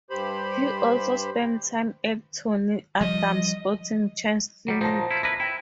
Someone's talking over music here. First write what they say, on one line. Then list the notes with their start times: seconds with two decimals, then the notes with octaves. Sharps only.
He also spent time at Tony Adams' Sporting Chance Clinic.
0.10 G2 G4 C5 B5
3.01 F3 G3 D#5
4.68 F#3 G3
4.81 A#2 F3 D#4 C5 A5 A#6
5.11 E4 F4
5.23 E4 A#4 B4 A#6 B6
5.40 E4 G5